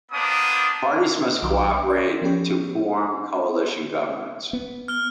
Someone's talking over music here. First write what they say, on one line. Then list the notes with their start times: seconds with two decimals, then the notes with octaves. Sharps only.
Parties must cooperate to form coalition governments.
0.12 A#3 B3 D4 C5 D#6
1.42 B1 D#3 F#3 D6
1.90 D5
2.22 F3 B3 C#4 G4
4.53 B3
4.88 F6 G7